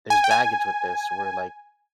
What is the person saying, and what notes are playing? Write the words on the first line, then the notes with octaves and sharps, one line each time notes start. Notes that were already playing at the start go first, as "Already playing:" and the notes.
there's baggage with this where, like,
G#5
G5
G#5